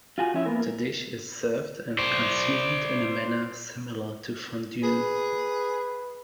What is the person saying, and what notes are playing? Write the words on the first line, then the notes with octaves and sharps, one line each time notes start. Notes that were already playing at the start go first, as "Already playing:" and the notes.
The dish is served and consumed in a manner similar to fondue.
F4 F#4 G#5
F3 C#4 E4 C#5 E5
A#3 B3 A#4
A#4
C5 D5
G#4 B4